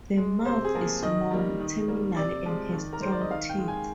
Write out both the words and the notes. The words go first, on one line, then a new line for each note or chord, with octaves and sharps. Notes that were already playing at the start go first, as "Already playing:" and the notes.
The mouth is small, terminal and has strong teeth.
G#3
C3 C5
G#4
F3 A#3
D#3 D#5
G3 A#3
D#3
G3 A#3
C3 D5
F3 G#3
D#3
A#4
G#3 C5
D5
D#5
D#3 F5
G5
G#3
G#5